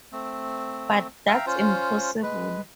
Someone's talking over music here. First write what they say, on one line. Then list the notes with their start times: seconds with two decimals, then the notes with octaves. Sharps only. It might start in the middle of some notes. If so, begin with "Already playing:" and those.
But that's impossible!
0.12 A3 C4
1.27 E5 F5 G5 A#5
1.46 C#4 F4 C5
2.23 G#3 B4